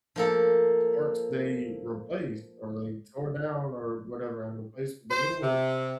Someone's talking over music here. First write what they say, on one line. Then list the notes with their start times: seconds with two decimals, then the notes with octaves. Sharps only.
parts they replaced or they tore down or whatever and replaced with the new ones
0.16 F3 A#3 A4
5.10 C5
5.42 C3